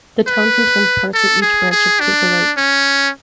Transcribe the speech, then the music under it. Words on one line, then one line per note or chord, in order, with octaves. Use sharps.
The town contains parts of each branch of Keuka Lake.
B4
A4
G#4
G#4
D4
C#4